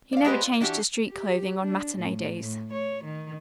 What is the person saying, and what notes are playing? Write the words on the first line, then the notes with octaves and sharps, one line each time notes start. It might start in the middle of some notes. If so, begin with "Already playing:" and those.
He never changed to street clothing on matinee days.
D5 F5
G#3 B3 G4 B4 C5
F4
E3 D4 F#4 G4
G4
D4
A2
A2
C#5
D#3